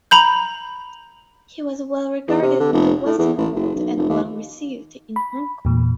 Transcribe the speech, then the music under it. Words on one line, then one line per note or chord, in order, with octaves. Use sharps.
He was well regarded in the Western world and well received in Hong Kong.
A#5 B5 G6
E2
C3
D3
F1
A2
E2
A1
F#1
B1
F1
D#2
B5
E2 A#2